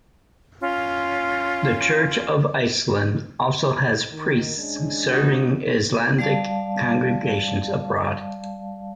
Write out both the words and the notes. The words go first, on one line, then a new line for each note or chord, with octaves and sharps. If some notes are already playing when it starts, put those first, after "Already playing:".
The Church of Iceland also has priests serving Icelandic congregations abroad.
C#4 F4
D#3
G#3 C#4 D4
D#4 F#4
G3 D5 F5 A5